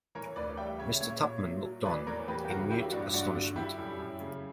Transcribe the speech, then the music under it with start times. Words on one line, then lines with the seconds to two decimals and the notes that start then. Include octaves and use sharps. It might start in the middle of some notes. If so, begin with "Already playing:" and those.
Mr. Tupman looked on, in mute astonishment.
0.15 E3 A#4 C#5
0.36 D2 B4 D5
0.57 G3 E5 G5
0.79 C#3 C#5 E5
1.00 A#2 C#5 E5
1.22 A#2
1.43 F#3
1.65 F#3
1.85 E3 B4 D5
2.07 E2 A#4 C#5
2.28 E2 G4 B4
2.45 G4
2.49 C#3 F#4 A#4
2.70 F#3 E4 G4
2.92 G2 D4 F#4
3.14 G2 D4 F#4
3.35 D3
3.56 G3 E4 G4
3.78 F#2
3.99 F#2
4.20 C#3